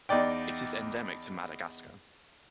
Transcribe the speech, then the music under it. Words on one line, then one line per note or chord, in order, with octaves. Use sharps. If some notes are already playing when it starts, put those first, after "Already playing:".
It is endemic to Madagascar.
E2 D#4 D5 G5